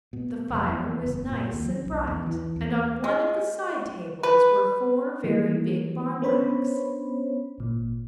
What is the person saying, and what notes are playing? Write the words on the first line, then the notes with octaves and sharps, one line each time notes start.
The fire was nice and bright and on one of the side-tables were four very big barmbracks.
B2
F1
E2
F#1
A#2
D#2
F#3
B1
E2
E3
E2
G#3
B4
D#3 E3 G3 A#3
B3 C#4 D4 C5 C#5 B5
G#1 A#2